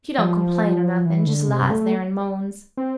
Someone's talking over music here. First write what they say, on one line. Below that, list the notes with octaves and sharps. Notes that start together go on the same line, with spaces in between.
She don't complain or nothing--just lies there and moans.
F3
E3
D3
C3
A3
C4